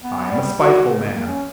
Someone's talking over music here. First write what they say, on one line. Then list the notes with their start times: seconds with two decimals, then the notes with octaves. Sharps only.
I am a spiteful man.
0.03 B3
0.31 G3
0.61 F#4
0.89 C#3
1.06 A#3
1.27 C#4